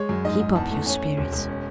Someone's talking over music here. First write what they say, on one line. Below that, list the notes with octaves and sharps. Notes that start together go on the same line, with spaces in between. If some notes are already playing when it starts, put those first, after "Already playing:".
Keep up your spirits.
Already playing: G#3 C#5
F#2
G#2 D#5
G#2
E2 A5
A3
C#4 G#5
C#4
E1
E1
C#4